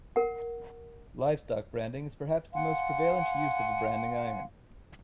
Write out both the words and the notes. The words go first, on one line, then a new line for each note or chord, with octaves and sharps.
Livestock branding is perhaps the most prevalent use of a branding iron.
A#4 F#5
F5 F#5 G#5 C6